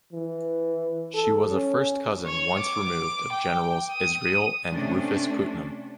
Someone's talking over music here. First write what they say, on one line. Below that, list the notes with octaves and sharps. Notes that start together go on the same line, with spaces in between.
She was a first cousin once removed of Generals Israel and Rufus Putnam.
E3
A4
C#4
C#5
D6
G5
D#6
C3 A3 C#4 D4